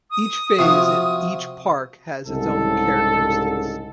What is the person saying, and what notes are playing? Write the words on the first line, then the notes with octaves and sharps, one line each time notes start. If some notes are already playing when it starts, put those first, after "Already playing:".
Each phase and each park has its own characteristics.
D#6
C3 F3 F#3
C2 G#2 C#3 A4